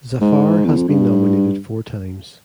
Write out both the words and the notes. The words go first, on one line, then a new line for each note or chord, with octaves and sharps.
Zafar has been nominated four times.
G#2
E2
F2
G2